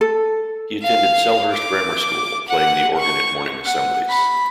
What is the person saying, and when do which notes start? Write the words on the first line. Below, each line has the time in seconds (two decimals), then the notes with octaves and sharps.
He attended Selhurst Grammar School, playing the organ at morning assemblies.
0.01 A4
0.84 F5
1.52 D6
2.48 F#5
2.99 C#6
3.65 F#5
4.09 B5